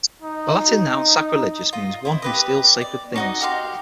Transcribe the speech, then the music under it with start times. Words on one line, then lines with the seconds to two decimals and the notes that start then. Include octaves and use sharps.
The Latin noun "sacrilegus" means "one who steals sacred things".
0.22 D#4
1.73 F4 D#5
2.05 E4 C5
2.22 G4 B4 D#5
2.81 D5
3.16 D#4 F#4 D#5
3.41 F#4 G4 F5 C6